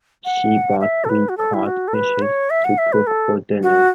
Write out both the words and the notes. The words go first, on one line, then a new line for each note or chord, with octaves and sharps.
She bought three cod fishes to cook for dinner.
F#5
E5
A4
B4
F#4
A4
E4
F#4
A4
B4
C#5
E5
F#5
E5
B4
A4
F#4